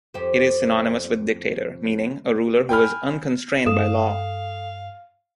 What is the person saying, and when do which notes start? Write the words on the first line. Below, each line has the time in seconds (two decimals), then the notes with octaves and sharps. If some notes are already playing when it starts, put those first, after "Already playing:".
It is synonymous with 'dictator,' meaning 'A ruler who is unconstrained by law.
0.14 F2 G4 C5
2.69 G5 G#5 B5 F6
3.66 G2 A4 F5 D#6 E7